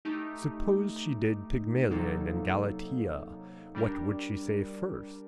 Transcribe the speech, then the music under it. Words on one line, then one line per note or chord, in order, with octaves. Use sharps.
Suppose she did Pygmalion and Galatea what would she say first?
A3 D#4 G4
C3 F#3 A#3 D#4 A4
G3 D4 G4 A#4